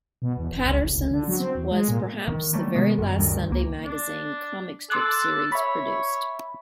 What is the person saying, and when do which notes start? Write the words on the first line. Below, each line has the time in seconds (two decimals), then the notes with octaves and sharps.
Patterson's was perhaps the very last Sunday magazine comic strip series produced.
0.22 B2
0.37 E2
0.52 F#1
0.64 C#2
0.80 F1
0.95 C#2
1.11 D3
1.28 F#3
1.39 C4
1.55 E2
1.71 G#3
1.88 A#2
2.28 D#3
2.53 F#3 G3 A3 A#3
2.75 C3 D#3 G#3 B3
2.99 F#2 D#3 G3
3.18 D2 G2 D#3
3.50 C#2 A#3
3.84 D4
4.90 A4 C6 D6 F#6
5.52 C#5 E5 B5